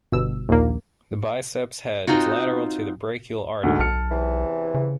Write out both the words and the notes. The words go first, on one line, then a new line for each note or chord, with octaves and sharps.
The biceps head is lateral to the brachial artery.
G1 B2 E6
A#1 D#2 A#3
C4 D#4 F4 F#4
D2 G#2
B1 A5 F6 C#7
E2 C3 E3
C#3